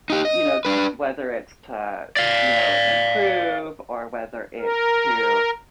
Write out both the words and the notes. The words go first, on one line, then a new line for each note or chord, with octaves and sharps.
you know, whether it's to, you know, improve or whether it's to,
D#4 G4
D#5
D4 B4
D5 F5
A#4